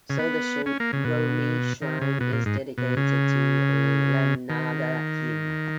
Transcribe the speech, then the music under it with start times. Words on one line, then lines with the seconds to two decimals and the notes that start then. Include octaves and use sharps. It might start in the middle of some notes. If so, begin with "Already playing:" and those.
So the Shiromi shrine is dedicated to Ihanaga-Hime.
0.10 C#3
0.19 B3
0.66 C#4
0.80 A#3
0.93 C#3
1.04 B2
1.82 D#3
2.01 C#3
2.20 B2
2.33 A#2
2.46 G#2
2.78 B2
2.97 C#3
4.50 D#3